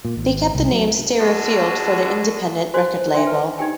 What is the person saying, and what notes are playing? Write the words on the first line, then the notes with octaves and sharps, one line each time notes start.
They kept the name Stereo Field for their independent record label.
A#2
G#1
C2
F#3
F#2 B2 D3 G#3 F#4 A5
F#4 C5 D5 G#5
D4 E5 G5 C6
B4
D#4 G4 G5 G#5